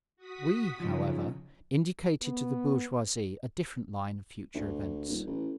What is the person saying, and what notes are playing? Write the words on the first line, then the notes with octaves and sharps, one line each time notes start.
We, however, indicated to the bourgeoisie a different line of future events.
F#4 D#6 B6
C#3 F3 F#3 D#4
B3
D2
D#1
A1